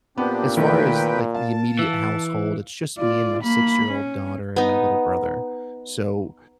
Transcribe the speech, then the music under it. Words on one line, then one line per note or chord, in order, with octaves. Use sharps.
as far as, like, the immediate household, it's just me and my six-year-old daughter and my little brother. So,
A#2 B3 C4 D4 G4
D#3 A3 E4 B4 G5
F5 A5
E3
F4 D5
A#3 B5
C#4
B3 D#4